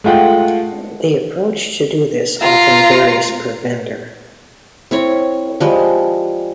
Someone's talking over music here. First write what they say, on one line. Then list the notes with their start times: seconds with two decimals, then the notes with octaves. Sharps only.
The approach to do this often varies per vendor.
0.04 G#3 A3 F4 F#5 G5
2.41 F4 A#5
4.91 C4 E4 C#5
5.60 F3 G3 G#3